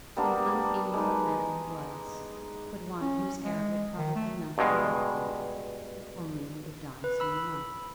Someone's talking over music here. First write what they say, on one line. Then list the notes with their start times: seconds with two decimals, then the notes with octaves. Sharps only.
An unamiable man he was, but one whose heir would probably not quarrel with him--if only he would die soon enough.
0.17 G3 A#3 B3 D4
0.94 G#3 D#4 B4
3.02 C#4
3.44 G#3
3.97 D#3
4.15 A3
4.58 G2 B2 G#3
7.04 B4
7.20 B5 E6